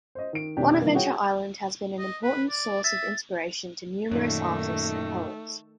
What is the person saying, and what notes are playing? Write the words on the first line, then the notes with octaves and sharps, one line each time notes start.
Bonaventure Island has been an important source of inspiration to numerous artists and poets.
C5 D#5
D#3 D7
F1 B2 D#3 D4 G4
C3 D#3 E3 G3 A#3
F#4 G#4 C#5 F#5 G5
D#5
B4
D5
E5 A6
F#2 A#2 D#3 A3